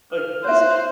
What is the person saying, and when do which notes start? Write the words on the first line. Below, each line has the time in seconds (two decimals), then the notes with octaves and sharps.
Like, this kid
0.12 F6
0.44 C5 C#5 E5 F#6